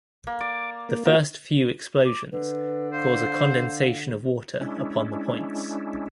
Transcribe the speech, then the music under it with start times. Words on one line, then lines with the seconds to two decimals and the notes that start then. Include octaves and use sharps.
The first few explosions cause a condensation of water upon the points.
0.27 A#3
0.41 D5 D6
0.89 A#3
1.05 A#3 F4 F#4 A#4 G5
2.05 D6
2.32 D3 B4
2.93 C5 F5
4.61 G#3 C#4 D4 E4